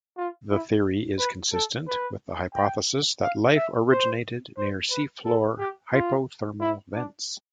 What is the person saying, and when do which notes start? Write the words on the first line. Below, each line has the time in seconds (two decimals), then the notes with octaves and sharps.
The theory is consistent with the hypothesis that life originated near seafloor hydrothermal vents.
0.18 F4
0.51 E4
1.19 B4
1.53 A4
1.87 B4
2.54 G5
3.22 F5
3.55 E5
3.90 C5
4.58 C5
4.91 B4
5.25 A4
5.58 G4
5.93 F4
6.61 E4
6.94 D4